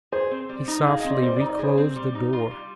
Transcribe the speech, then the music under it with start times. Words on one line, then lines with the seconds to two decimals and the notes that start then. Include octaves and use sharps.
He softly reclosed the door.
0.12 G#4 C5
0.31 C4
0.49 G3
0.68 D#4
0.87 G#4 F5
1.00 C4 D#5
1.10 D5
1.23 G3 C5
1.37 D5
1.41 D#4
1.50 D5
1.59 G#4 C5
1.78 C4
1.96 G3
2.15 D#4
2.33 F4
2.51 G3